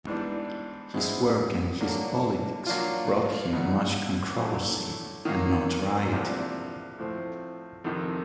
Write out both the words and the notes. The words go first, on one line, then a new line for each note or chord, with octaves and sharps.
His work and his politics brought him much controversy and notoriety.
G#2 E3 G3 B3 D4
B2 G#3 C4 E4 G#4
D3 F#3 A#3 D4
F#3 A#3 D4 F4
E2 B2 F#3 B3 D#4
D3 F#3 A3 C#4 E4
D#3 F#3 A#3
E2 C3 F3 A#3 D4
A2 F3 A3 C4
F2 C3 D#3